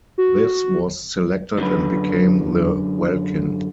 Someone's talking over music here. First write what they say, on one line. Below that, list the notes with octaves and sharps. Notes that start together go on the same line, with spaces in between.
This was selected and became the Welkin.
F#4
F#2 D3 B4